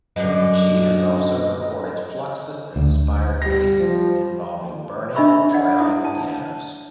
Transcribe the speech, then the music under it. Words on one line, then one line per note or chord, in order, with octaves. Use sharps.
She has also recorded Fluxus-inspired pieces involving burning or drowning pianos.
F#2 D3 D#5
D2
G3 A#6
F3
D4 D#5 E5 B5 C#6 E6
D5 D#5 F#5
E4 D#6
A5